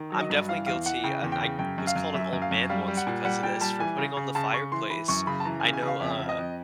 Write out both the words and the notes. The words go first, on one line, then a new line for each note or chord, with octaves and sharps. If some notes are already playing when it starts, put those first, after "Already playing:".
I'm definitely guilty, and I was called an old man once because of this, for putting on the fireplace. I know, uh,
Already playing: D#3
F#3
D#5
G2
E3 F5
E2 F5
E3 F#5
C#3 G5
E2
G5
C#3
F#2 G5
F#2
F5
F#2
F#2 E5
F#2
F5
F#2
G3 F5
G3
F#5
A#2
G3 F#5
A#2 G5
G3 A5
E3 G#5
C#3
C#3
C#3 A5
C#3 C#6
E3 C6
E3 B5
F#2 C#6
C#3 B5
A5
E3 A#5
C#3 G#5
G#5
C#3
F5
F2 E5
F2
D#5
F2